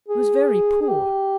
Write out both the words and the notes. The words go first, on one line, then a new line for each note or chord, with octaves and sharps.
He was very poor.
G#4
G#4
G4